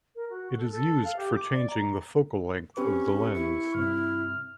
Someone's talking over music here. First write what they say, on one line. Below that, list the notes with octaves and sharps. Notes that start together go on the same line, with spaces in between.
It is used for changing the focal length of the lens.
A#4
F#4
A4
A4
F5
G4
D6
D5
A#5
C4 C#4 G4 B4 C#6
E4
G2 C3 C4 F6